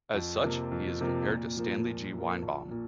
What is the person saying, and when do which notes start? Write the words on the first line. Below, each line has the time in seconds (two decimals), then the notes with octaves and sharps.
As such, he is compared to Stanley G. Weinbaum.
0.14 F2
0.44 C3 F3 A#3
0.72 F2
1.01 C3 F3 A#3
1.28 A#2
1.56 F3 A#3
1.86 A#2
2.14 F3 A#3
2.42 A#1
2.71 A#2